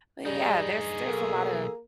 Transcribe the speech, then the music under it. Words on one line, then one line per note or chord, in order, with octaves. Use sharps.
but, yeah, there's there's a lotta
G2 G3 D#4 G#4
B1 A#3 A4